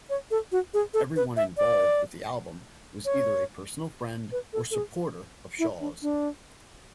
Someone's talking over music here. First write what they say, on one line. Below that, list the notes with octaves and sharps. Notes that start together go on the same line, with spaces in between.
Everyone involved with the album was either a personal friend or supporter of Shaw's.
C#5
A4
F#4
G#4
A4
B4
E5
D5
C#5
B4
A4
A4
G#4
E4
D4
D4